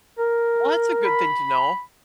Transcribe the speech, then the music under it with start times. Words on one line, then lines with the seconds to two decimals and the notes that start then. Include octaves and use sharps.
Well, that's a good thing to know.
0.19 A#4
1.05 B5